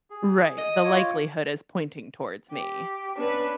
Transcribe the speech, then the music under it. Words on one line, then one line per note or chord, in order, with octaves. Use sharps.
Right, the likelihood is pointing towards me.
G#4
D#5
F4 C#5 D6
G4
B3 C#4 D4 B4